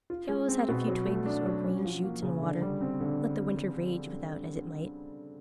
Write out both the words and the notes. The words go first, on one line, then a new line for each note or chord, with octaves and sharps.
She always had a few twigs or green shoots in water--let the winter rage without as it might.
F4
G#3
C4
B2
F#3
A3
D4
F#3
C#4
F3
A#3
C#3
D3
G3
C4
D3